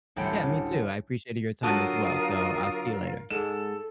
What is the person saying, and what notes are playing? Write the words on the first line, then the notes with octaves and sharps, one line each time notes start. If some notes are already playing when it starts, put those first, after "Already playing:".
Yeah, me too, I appreciated your time as well, so I'll see you later.
A1 D2 G3 C#4 G5
D3 F#3 F4 F#4 A#4 A5 D#6
G#2 G#3 A4 E7